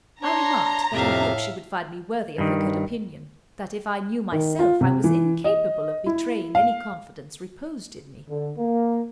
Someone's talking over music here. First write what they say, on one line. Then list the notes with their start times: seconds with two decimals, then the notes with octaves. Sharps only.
I remarked that I hoped she would find me worthy of her good opinion; that if I knew myself, I was incapable of betraying any confidence reposed in me.
0.22 D4 C#5 A#5 C6
0.93 F2 A2 C3 E5 F5
2.38 G2 D#3
4.32 D#3
4.59 F4
4.81 C3
5.04 E3
5.44 D#5
6.06 E4
6.55 F5
8.29 D3
8.58 A#3